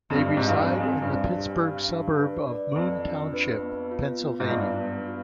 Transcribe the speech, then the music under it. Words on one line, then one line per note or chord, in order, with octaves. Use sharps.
They reside in the Pittsburgh suburb of Moon Township, Pennsylvania.
F2
G2 G4
G#2
G2 F5
F2
G#5
F2
G2 C5
G4
F5
D4
B4
D5
F2 F4
D4
B4
B3
F4
B3
G#2
G2 D4
B3
F4